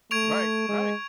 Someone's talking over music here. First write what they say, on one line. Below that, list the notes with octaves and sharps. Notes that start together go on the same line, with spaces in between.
Right. Right.
A3 C#6 G#6 D7 F7
G#3